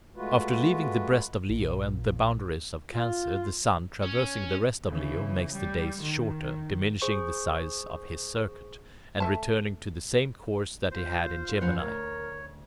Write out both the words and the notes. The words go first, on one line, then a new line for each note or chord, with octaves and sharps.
After leaving the breast of Leo and the boundaries of Cancer, the sun, traversing the rest of Leo, makes the days shorter, diminishing the size of his circuit, and returning to the same course that he had in Gemini.
G#3 A3 F4 F#4 B4
A#1
F4
C#4
C#3 E3
G3
D#3
G#4 C5 C#6
A3 E5 A5
F4 C5
F#2 F3 F4 B4 C5 F#5
D2 A#4 C#5